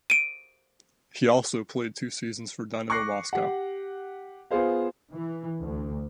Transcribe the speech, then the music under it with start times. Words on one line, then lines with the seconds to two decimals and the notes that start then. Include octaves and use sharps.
He also played two seasons for Dynamo Moscow.
0.10 D7 D#7
2.90 C#6 D6 F#6 A#6 C7
3.33 G4 F#5
4.51 B3 F4 G#4 C5 F5
5.13 E3
5.62 D2